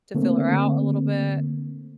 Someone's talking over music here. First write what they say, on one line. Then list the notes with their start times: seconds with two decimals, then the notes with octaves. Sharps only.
to feel her out a little bit,
0.15 D3 A3 A#3 C4